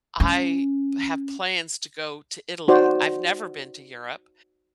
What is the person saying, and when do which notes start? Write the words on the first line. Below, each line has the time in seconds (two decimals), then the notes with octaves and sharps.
I have plans to go to Italy. I've never been to Europe,
0.20 C#4
2.68 D#4 F#4 C5 D5